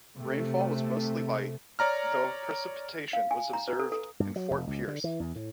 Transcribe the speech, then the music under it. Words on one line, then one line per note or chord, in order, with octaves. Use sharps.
Rainfall was mostly light, though of precipitation was observed in Fort Pierce.
C3 A3
C#5 D5 A#5 F6
F5
G#5
A#5
B4
A4
A4
G2
F#3
F1
C#2
D3
E3
E2
A2